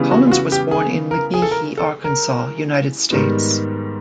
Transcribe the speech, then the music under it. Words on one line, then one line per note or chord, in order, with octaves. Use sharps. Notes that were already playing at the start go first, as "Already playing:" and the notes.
Collins was born in McGehee, Arkansas, United States.
Already playing: C#3 E3 G3 B3
F#4
F4
F#4
G4
G#4
A#4
G#4
A4
A#4
A4
A#4
G#2 D#3 G3 B3